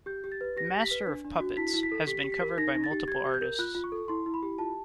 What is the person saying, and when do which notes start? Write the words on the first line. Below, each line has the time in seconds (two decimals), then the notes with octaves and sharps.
"Master of Puppets" has been covered by multiple artists.
0.06 G4 G6
0.24 G4
0.32 A6
0.41 B4
0.57 G4 A#6
0.73 G4
0.82 B6
0.91 B4
1.07 D4
1.25 D4
1.40 F#4
1.57 E4 B6
1.74 E4
1.83 B6
1.92 A4
2.07 G4 B6
2.24 G4
2.32 B6
2.41 A#4
2.58 D#4 A#6
2.75 D#4
2.84 A6
2.91 G4
3.08 G4 G#6
3.25 G4
3.34 G6
3.41 A#4
3.59 F4 F#6
3.75 F4
3.84 C#6
3.92 A4
4.08 E4 C6
4.26 E4
4.34 B5
4.43 G4
4.58 F4 A5